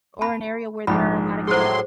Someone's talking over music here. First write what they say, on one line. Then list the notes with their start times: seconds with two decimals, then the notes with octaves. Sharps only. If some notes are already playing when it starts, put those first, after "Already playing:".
Or an area where there are a lot of kids?
0.21 A5 B5
0.87 A#1 G#2 B5
1.47 A2 F#3 G#4 C5 C6